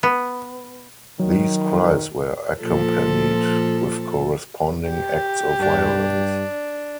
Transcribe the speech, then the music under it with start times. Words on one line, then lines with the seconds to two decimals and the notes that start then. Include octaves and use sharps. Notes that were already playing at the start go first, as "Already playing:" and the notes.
These cries were accompanied with corresponding acts of violence.
0.03 B3
1.20 D#3 F#3
2.61 A#2 F3 A4
4.90 G4
5.59 G2 D4